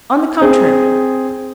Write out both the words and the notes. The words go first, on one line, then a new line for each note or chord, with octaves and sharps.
On the contrary.
C4 G#4